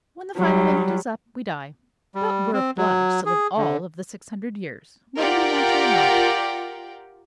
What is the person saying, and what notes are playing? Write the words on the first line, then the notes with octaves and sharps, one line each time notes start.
When the final minute is up, we die; but we're obliged to live all of the six hundred years, whether we want to or not.
F#3 G3
G3
C4
F#3
G#4
D3
F4 G4 A#4 D5 F#5 G5